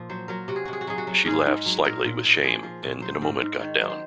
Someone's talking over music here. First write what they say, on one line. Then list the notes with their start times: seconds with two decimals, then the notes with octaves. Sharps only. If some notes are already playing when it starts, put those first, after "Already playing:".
She laughed slightly with shame, and in a moment got down.
Already playing: A#2 F3
0.09 F#3 C5
0.28 F#3 A#4
0.48 C3 F#4
0.56 G#4
0.65 C3 F#4
0.73 G#4
0.81 F#4
0.87 F#3 G#4
0.98 F#4
1.07 F#3
1.26 G#2 G#4
1.46 G#2
1.66 F#3
1.85 A#2 A#4
2.05 A#2
2.24 A#2
2.44 F3 G#4
2.63 F3
2.83 A#2
3.01 F#3 C5
3.22 G#2
3.41 G#2
3.60 D#3 C#5
3.80 F#3
3.90 C5